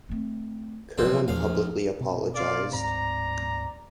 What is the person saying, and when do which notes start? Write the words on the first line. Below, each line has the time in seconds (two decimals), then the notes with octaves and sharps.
Kerwin publicly apologized.
0.09 A3 C4
0.98 B1 B2 F3 C4 C#4
1.28 A#1 E2 F5
2.01 B2 A#3 C4
2.36 F4 D5 F5
2.72 D1 G#2 C4 D5 A#5